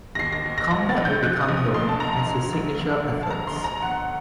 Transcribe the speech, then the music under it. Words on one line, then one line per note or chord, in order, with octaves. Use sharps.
Combat would become known as his signature efforts.
A#6
D#2 C7
A#6
D#2
A#6
A#1 A#6
A6
A#1
G6
A#1 F#6
D#6
A#1
D#6
D2 C6
A5
D2 A#5
A#1
A#1
D2
D2
A5
A#1 A#5
C6
A#1
A#5
G1 F#5